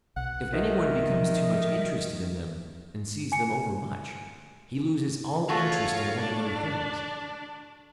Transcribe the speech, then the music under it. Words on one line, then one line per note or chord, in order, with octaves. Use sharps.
If any one becomes too much interested in them, and sees them over much, he loses all interest in ordinary things.
B1 F#5
D#3 D#5 E5
F3 F#3
G#5 C#7
A3 F4 F#4 G#4 C#5
D4